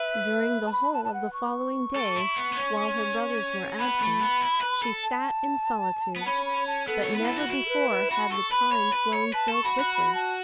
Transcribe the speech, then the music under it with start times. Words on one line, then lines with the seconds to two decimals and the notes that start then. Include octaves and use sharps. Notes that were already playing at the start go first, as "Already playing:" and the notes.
During the whole of the following day, while her brothers were absent, she sat in solitude, but never before had the time flown so quickly.
Already playing: B4 E5
0.66 A5
0.72 B5
0.93 A5
1.05 A5
1.14 F#5
1.33 C#6
1.96 A4
2.16 E4
2.36 B3
2.53 B3
2.56 C#4
3.79 B3 B5
4.01 A3
4.21 B3
4.42 E4
4.61 B4
4.82 A4
5.03 A5
6.16 B3
6.21 A5
6.26 C#4 B5
6.46 B5
6.67 A5
6.87 B3 A4
7.04 C#5
7.15 E4 B4
7.26 A4
7.37 F#4
7.49 E4 F#4
7.66 A4
7.69 B4
7.90 B4
8.11 F#4 B5
8.31 A4 C#6
8.51 B4 B5
8.72 C#5
8.93 B4
9.13 C#5
9.33 B4 A5
9.49 A4 C#6
9.64 F#4 B5
9.79 F#4
9.95 B5
10.15 A5